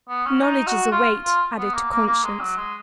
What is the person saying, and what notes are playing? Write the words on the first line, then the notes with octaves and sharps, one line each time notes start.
"Knowledge is a weight added to conscience."
B3
C#4
D#4
F#4
F4
F4
B3
A#3
A#3
A#3
G#3
F#3
G#3